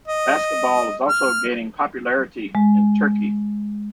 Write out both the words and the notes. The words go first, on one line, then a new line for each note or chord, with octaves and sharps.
Basketball is also gaining popularity in Turkey.
D#5
F6
G#3